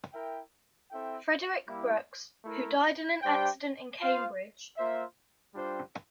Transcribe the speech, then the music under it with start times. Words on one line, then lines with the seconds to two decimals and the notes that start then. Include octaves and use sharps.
Frederic Brooks, who died in an accident in Cambridge.
0.13 E4 A#4 E5 G5
0.90 C4 E4 A4 E5 G5
1.67 G3 A#3 E4
2.44 A3 E4 A#4
3.21 G3 D4 G4 C5 G5
3.99 F4 C5 F5
4.76 A#3 F4 C5 E5
5.54 G3 D4 F4 C5 G5